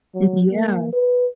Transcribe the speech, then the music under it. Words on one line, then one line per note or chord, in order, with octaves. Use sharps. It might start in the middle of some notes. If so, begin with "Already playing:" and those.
M yeah.
F#3
A#3
B4